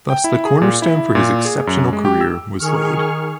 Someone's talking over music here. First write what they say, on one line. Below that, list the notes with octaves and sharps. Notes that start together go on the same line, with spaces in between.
Thus the cornerstone for his exceptional career was laid.
G5
E4
G#4
A#2
E4
A#2
G#4
F#2
G#3
G4
E6
D#3 G#4 C#6 F6